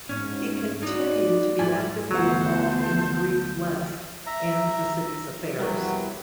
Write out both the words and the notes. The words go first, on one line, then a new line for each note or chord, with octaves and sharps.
He continued to be actively involved in the Greek left and the city's affairs.
G#2 C#4
D#4 F#4 D5
G#2 E4 G#5
D2 F#3 B3 F#5 A5 C6 G6
E5 A#5
F2 F#3 G3 B3 E4 G4 A#4